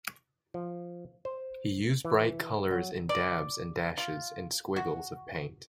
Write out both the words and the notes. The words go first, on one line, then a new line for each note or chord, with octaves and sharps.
He used bright colours in dabs and dashes and squiggles of paint.
F3
C5
E3
F#3
D5
F4
F#4